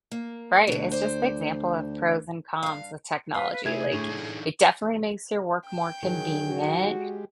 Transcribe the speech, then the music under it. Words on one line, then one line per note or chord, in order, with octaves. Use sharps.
Right, it's just the example of pros and cons with technology, like, it definitely makes your work more convenient
A#3
D2 B2 D3
C5 D5
G2 F5
B4 F5
B4
C3 A3 E4 G#4 G#6
A2 A3 D4
D4 D#4 A4
G5
D#3 F#3 G#4
F#4
G#3 G4